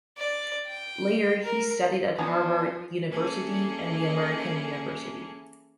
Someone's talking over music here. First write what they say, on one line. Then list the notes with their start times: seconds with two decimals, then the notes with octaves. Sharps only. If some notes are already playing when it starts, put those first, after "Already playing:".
Later he studied at Harvard University and the American University.
0.17 D5
0.67 G5
1.43 A#4
2.18 F3 B3 D4 D#4 D5 G#5 A5
3.10 E3 A#3 C#4 G#4 A4